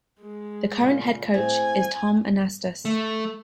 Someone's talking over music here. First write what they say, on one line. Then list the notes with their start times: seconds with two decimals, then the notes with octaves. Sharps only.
The current head coach is Tom Anastos.
0.21 G#3
0.78 A#2 C#3
1.34 A2 C4 G#4 G#5
2.85 A3